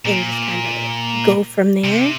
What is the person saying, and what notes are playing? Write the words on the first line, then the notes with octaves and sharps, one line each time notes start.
and just kinda go from there.
A#2
C3